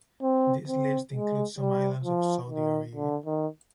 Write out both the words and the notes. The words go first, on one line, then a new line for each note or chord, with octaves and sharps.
This list includes some islands of Saudi Arabia.
C4
C4
G#3
G3
F3
D#3
D3
D#3